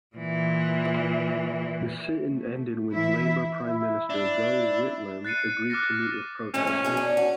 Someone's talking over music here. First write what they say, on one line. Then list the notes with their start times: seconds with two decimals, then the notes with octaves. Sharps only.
The sit-in ended when Labor Prime Minister Gough Whitlam agreed to meet with protesters.
0.16 A#2 E3
2.26 A3
2.90 E3 E4 E5
3.67 E4
4.10 D4 E4
5.25 F#6 A6 C7 C#7 D#7
5.70 D6 F6 F#6 A6 A#6
6.54 A2 F3 G#3 C#4
6.67 F2 A2 A3
6.85 G2 B2 G#4
6.97 D4
7.17 F#4